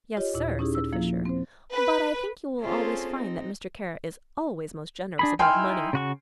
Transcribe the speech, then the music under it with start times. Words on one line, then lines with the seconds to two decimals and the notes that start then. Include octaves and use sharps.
"Yes, sir," said Fisher, "but I think you will always find that Mr. Kara is always most generous about money."
0.17 F4 G4 C#5 D#5
0.34 D#2 A#2 E4
0.59 C#4 D#4 E4 G4 G#4
0.75 E6
0.93 F3 A#3 E4 F4
1.25 C4 C5
1.73 B4
2.61 C4 C#4 F4 G#4 A4 C5
3.10 C4 D#4
5.19 D4 G#4 B5
5.39 D#4 E4 G5 G#5 C6 F6
5.93 C#3 F#4 C#6